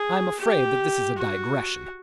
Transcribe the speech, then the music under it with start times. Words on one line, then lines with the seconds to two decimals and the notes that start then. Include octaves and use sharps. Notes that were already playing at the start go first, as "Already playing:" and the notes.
I am afraid that this is a digression.
Already playing: G#4
0.40 G4
1.18 F#4